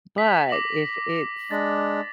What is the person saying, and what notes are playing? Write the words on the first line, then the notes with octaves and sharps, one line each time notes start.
But if it's,
B6
D6 A#6 F#7
G#3 D4 A6 A#6